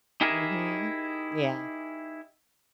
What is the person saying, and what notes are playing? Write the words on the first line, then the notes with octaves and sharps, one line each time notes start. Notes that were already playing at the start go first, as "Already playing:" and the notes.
Mhm, yeah.
D#4 E4 G4 G#4 A#4 E5